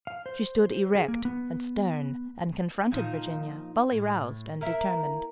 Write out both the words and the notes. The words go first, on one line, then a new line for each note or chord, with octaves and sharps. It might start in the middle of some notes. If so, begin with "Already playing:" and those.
She stood erect and stern and confronted Virginia, fully roused and determined.
F5
C5
G#4
A#3
B3
A#2 F3 D#4
A2
A#3 E4 E5